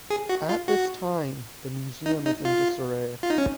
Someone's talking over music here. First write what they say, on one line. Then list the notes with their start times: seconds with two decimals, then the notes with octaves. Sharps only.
At this time the museum is in disarray.
0.10 G#4
0.29 F#4
0.49 F4
0.68 F#4
2.06 D#4
2.26 D#4
2.45 F4
3.23 F4
3.30 D#4
3.38 C#4